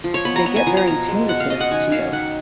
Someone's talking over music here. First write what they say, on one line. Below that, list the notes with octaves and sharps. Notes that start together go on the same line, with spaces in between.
th they get very intuitive to you,
F3
C#5
B3 B5
A#5
B3 A#5
G#5
F3 A#5
A#5
B2 A#5
G#3
B2 F#5
F5
C#4 D#5
F#5
D#3 G#5
F#3 F5
D#3 F#5